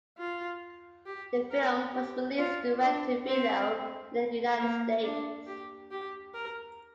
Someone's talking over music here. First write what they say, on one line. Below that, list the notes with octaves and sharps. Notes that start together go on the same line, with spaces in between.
The film was released direct-to-video in the United States.
F4
G4
A#4
G4
F4
D4
C4
A#3
D4
G4
G4
A#4